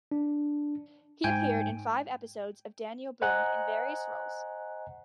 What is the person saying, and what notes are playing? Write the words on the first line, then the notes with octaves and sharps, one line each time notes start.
He appeared in five episodes of "Daniel Boone" in various roles.
D4
G#2 G5 G#5
C5 D#5 F#5 G#5 A#5 F#6